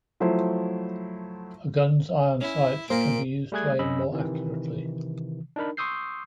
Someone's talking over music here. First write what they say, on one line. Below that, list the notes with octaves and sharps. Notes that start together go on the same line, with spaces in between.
A gun's iron sights can be used to aim more accurately.
F3 F#3 A3 E4 C5
C#4 E4
A#2 A#3 A#4 C5 D7
G3 A3 G#4 F#6 G#6
F#2 C#4 D#5 B5 E6
C3 D#3 E3
D4 D#4 A#4 B5
C6 C#6 D#6 E6 G6 C7